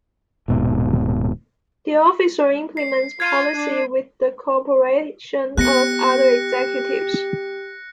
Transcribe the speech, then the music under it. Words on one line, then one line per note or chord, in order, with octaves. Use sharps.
The officer implements policy with the cooperation of other executives.
D#1 G#2 B2
C7
F4 G#6 C7 D#7
D4
B3 G4 F#6 A#6 C#7